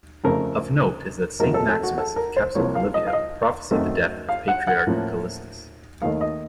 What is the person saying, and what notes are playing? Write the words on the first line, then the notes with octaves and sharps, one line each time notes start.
Of note is that Saint Maximus of Kapsokalyvia prophesied the death of Patriarch Callistus.
F2 C#3 F3 A3 A#4
F2 C3 F#3 A#3 D#4 A#4
A4
A4
F#4
A4
A#4
C5
C2 C3 F3 A#3 C#5
F5
D#5
F5
D#5
F#2 D#3 A3 C4
F5
F#5
F#5
A2 F3 A#3 C#4
D#2 D#3 A3 F5
D#5